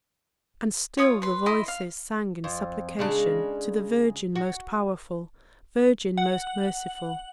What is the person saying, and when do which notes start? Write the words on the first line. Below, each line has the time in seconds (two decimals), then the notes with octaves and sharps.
And still the voices sang in supplication to the Virgin most powerful, Virgin most merciful.
0.97 F4 C#5 D#6
1.22 B4 C6
1.46 E4 D#5 C6
1.68 F5
2.44 F2
2.99 C#3 G#3 D4
4.36 F#4
6.17 F#5